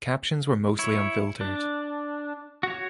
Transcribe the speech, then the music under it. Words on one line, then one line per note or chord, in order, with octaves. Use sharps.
Captions were mostly unfiltered.
E4 C#5
D4
F#4 C#5